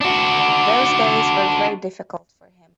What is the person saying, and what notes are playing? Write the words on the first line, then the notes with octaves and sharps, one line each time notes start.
Those days were very difficult for him.
D4 F#4